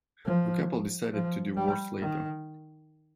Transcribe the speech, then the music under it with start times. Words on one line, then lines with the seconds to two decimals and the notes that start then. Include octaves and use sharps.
The couple decided to divorce later.
0.25 F3
1.13 F3
1.57 G3
2.00 D#3